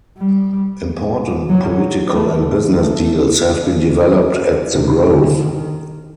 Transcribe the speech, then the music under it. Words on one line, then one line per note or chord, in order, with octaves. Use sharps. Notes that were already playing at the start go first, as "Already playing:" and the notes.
Important political and business deals have been developed at the Grove.
G3
F#3
A3
A3
F#3
C3
D3
D#3